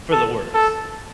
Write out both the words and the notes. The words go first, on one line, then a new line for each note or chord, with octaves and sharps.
for the worse.
A4
A4